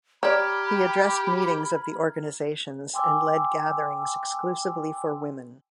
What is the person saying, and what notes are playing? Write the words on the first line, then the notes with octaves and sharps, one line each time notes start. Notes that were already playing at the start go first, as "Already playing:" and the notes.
He addressed meetings of the organisations, and led gatherings exclusively for women.
G4 C#5 D5 A#5 B5 F6 G#6
G5 G#5 C6 D6 E6